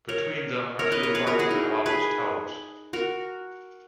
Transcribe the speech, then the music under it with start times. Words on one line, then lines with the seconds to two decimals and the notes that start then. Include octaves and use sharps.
Between them are two vertical office towers.
0.09 A#4 C#5
0.79 A#4 C#5
0.92 B4 D#5
1.03 A#4 C#5
1.15 G#4 B4
1.27 F#4 A#4
1.39 E4 G#4
1.51 D#4
1.86 G#4 B4
2.93 F#4 A#4